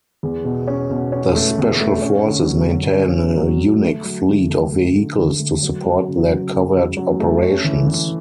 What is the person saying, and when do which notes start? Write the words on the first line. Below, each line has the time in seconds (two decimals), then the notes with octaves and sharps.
The Special forces maintain a unique fleet of vehicles to support their covert operations.
0.23 E2
0.44 B2
0.67 C#4
0.90 B2
1.12 C#4
1.35 A3
1.58 E2
1.80 A3
2.02 C#4
2.25 D3
2.47 F#3
2.70 F#3
2.92 C#4
3.15 D3
3.37 F#3
3.60 D3
3.82 A3
4.04 F#3
4.27 D3
4.50 A3
4.72 A3
4.94 D3
5.18 D3
5.39 A3
5.63 F#3
5.84 F#3
6.08 C#3
6.29 F#3
6.52 C#3
6.75 C#3
6.97 F#3
7.20 A3
7.42 C#4
7.64 E3
7.87 E3